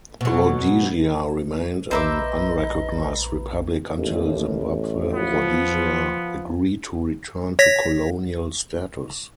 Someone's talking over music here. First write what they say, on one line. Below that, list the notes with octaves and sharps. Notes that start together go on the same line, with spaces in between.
Rhodesia remained an unrecognised republic until Zimbabwe Rhodesia agreed to return to colonial status.
B2 F#3
A#1 B4 C5 D#5 E5 A#5 B5 D6
A1 D#2
F3 B3 F4
C#5 A#6 B6